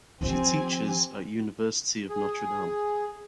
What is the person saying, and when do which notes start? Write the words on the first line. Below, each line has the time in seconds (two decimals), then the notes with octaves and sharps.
She teaches at University of Notre Dame.
0.21 D#3 F3 C4 G4 G#5
2.10 G#4